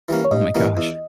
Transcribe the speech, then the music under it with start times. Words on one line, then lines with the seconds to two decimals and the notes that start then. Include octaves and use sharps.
Oh my gosh.
0.08 E3 G3 A#3 C#4
0.25 C#5
0.31 G2 D#5
0.55 E3 G3 A#3 C#4
0.77 E2